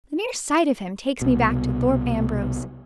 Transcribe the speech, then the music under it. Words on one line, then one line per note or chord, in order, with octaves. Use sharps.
The mere sight of him takes me back to Thorpe Ambrose.
C2 B2